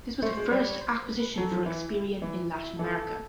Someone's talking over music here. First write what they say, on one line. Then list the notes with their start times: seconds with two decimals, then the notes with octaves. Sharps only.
This was the first acquisition for Experian in Latin America.
0.23 A3 C5
0.37 G#3
0.51 G3 C#5
0.81 C5
1.09 B4
1.37 F#3 A4
1.51 F3
1.65 E3 E4
2.22 E3
2.50 E4
2.79 E3 A4